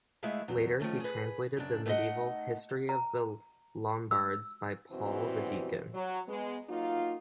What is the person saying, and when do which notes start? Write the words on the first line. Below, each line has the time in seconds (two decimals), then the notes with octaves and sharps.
Later, he translated the medieval "History of The Lombards" by Paul the Deacon.
0.23 G#3 A3 E4 G#4 E5 F5
0.48 E2 F#3 C4
0.80 D#3 F3 A3 C#4 G#4
1.00 G#4 B4
1.57 F#2 C#3 D4
1.86 A3 B3 D#4 B4 D#5 F#5
2.89 A#5
4.11 E6
4.92 F#2 B2 E3 G3 C4 F#4
5.94 F#3
6.28 G#3 B3
6.69 F#3 A#3 D#4 F4